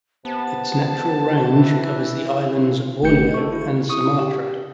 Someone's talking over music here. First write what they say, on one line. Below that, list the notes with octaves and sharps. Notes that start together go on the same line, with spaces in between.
Its natural range covers the islands Borneo and Sumatra.
C3 B3 A5
E3
G1 A3 G4 G6 C#7
A4 C#6
E4
C#6 D#6
G4